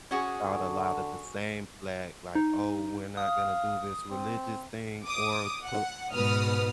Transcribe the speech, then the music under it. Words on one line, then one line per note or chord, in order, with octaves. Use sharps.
thought a lotta the same flag like, "Oh, we're not gonna do this religious thing or p
C#4 F#4 G#4
D3
D#4
F5 D#6
C4
D6 D#6
F#5
G#2 B2 B4 D#6 F6